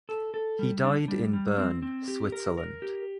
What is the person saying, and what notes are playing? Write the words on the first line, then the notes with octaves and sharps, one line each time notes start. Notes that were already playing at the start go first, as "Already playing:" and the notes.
He died in Bern, Switzerland.
A4
A4
G3
D4
G3
G3
C4
C4
G4
A#4
A#4
G4